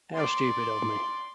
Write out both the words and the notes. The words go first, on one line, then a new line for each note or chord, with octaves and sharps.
How stupid of me!
D5 C6